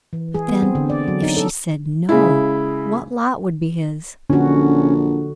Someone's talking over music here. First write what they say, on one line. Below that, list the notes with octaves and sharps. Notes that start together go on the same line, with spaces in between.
But then, if she said "no," what lot would be his?
E3
G#4
B3
C4
D3
D5
F#3
D#4
A4
C#3 G#3 E4
A#1 D3 C#4 F#4